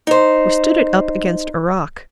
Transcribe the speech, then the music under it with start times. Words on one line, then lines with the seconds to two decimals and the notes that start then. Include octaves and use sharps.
We stood it up against a rock.
0.07 D#4 C5